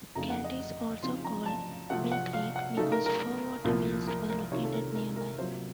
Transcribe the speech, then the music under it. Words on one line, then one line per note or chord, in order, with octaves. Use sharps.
Celt is also called "Mill Creek" because four water mills were located nearby.
F2 C#3 A3 D#4 A#5
F#5
D#5
C#3 F3 C4 D#4 C6
A#5
A5
C3 F3 A3 C4 F#5
F#5
F5
F#5
C#3 A3 D#4 A4
A#4
A#4
C2 A#2 F3 A#3
A#4
A#4
C3 D#3 A#3 F4 C#5
A4
A#4
A#4
A#4
C3 F#3 A#3 F4 C5